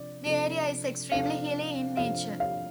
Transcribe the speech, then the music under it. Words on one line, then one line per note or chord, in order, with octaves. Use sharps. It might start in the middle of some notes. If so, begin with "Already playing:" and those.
The area is extremely hilly in nature.
Already playing: C3 F3 D4 D5
C3 F3 D4 A4
C3 F3 D4 A4 F5
C3 F3 D4 A4 F5
F5